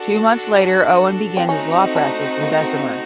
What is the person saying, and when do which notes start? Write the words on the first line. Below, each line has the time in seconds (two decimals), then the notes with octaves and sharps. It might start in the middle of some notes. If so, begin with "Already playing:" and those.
Two months later Owen began his law practice in Bessemer.
Already playing: D4 F#4 A4
1.37 C4
1.49 A3 C4 C#4 D#4 F#4
1.96 D4
2.43 A#3